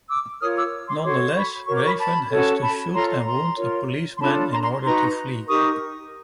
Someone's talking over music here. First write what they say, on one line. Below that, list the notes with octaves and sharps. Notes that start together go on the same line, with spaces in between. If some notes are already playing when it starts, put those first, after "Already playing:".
Nonetheless, Raven has to shoot and wound a policeman in order to flee.
D6 E6
F4 A#4 C#5 D#6 F6
D6 E6
C6 D6
F#4 A4 C#5 C6 D6
B5 C#6
F#4 A#4 C#5 C#6
D6
B5 C#6
A5 B5
C#4 F#4 A4 C#5
A5 B5
F4 A4 C#5 A#5 C6
A#5 C6
F4 A#4 C#5
C6
D4 F4 A4 C#5 A5 B5
A#5 C6
A#5 C6
D#4 F#4 B4 A#5 C6
D#4 G4 A#4 C#6 D#6